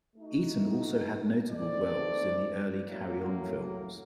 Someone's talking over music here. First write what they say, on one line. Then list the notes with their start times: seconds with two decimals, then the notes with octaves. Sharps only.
Eaton also had notable roles in the early "Carry On" films.
0.16 A3 D#4 F#4
1.51 A3 C4 D#4 A4 D5
2.85 A2 F#3 A#3